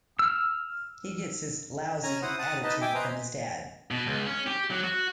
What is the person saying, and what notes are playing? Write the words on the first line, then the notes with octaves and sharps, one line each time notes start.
He gets his "lousy" attitude from his dad.
E6 F6
C#4 G#5 A#5
E4 C5 F#5 D#6
F#5 A5 D#6
D#4 B4 D#5 A5
E5 G5 G#5 D6
B4 C5 D#5 G#5 A#5
B2
C#2
C#4
G4
F#3
F#4